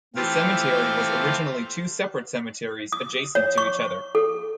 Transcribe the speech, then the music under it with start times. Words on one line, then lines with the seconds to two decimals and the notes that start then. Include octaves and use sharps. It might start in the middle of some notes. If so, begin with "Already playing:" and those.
The cemetery was originally two separate cemeteries, adjacent to each other.
0.16 E3 A3 C4 F4 G4 F5
2.92 D#6
3.35 C#5
3.58 C#6
4.15 A4